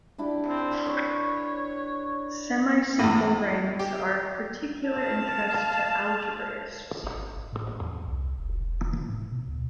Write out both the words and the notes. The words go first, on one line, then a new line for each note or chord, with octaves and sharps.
Semisimple rings are of particular interest to algebraists.
D4 E4 G4
C4
B4 C#5
E2 A2
G4
F5 A5
G#1
A2
E2
C2
E1
A2
B2
D2